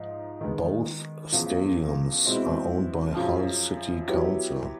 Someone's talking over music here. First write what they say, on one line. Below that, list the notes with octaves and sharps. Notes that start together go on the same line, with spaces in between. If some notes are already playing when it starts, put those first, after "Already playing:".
Both stadiums are owned by Hull City Council.
Already playing: G#2 F3 D#4
D#3 G#3 B3
E2 C#3 F3
B2 G#3 C4 E4
F#2 C#3 F3
F#3 B3 E4 G4